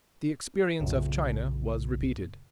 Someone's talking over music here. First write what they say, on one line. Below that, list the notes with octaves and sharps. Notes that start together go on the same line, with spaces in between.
The experience of China was repeated.
B1 F#2 A#2 C#3